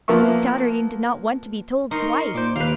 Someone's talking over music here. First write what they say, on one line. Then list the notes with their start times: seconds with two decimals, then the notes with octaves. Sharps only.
Dotterine did not want to be told twice!
0.08 F3 A#3 B3 E5 C#6
1.91 D#4 A#4 D#5 A#5 C6 C#6
2.35 A#2 C5 D6
2.56 D#2 B4 F5